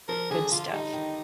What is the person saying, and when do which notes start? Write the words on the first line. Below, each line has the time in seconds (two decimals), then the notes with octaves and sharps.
Good stuff.
0.08 F3 A#4
0.30 D3 G#4
0.51 D3 F4
0.73 G3 D#4
0.93 D#3